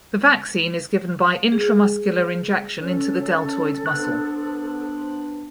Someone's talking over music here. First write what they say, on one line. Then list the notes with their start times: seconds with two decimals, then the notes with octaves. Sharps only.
The vaccine is given by intramuscular injection into the deltoid muscle.
1.52 G#4
2.80 C#4 A4
3.86 B3 D4 C5 F#6